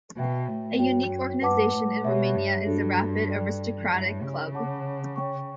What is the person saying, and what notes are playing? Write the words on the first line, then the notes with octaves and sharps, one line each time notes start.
A unique organization in Romania is the Rapid Aristocratic Club.
B2 F#4 B4 E5 G5
A2
G2 F#4 C#5 G5
F#2
G2 B4 F#5 A5 D6
A2
B2 G4 C#5 E5
G2
G2 D4 F#4 A4
A4 D5 G5
G2 E4 G4 C#5 E5
C#3
C#5 F#5 A5 D6
C#5 G5 C#6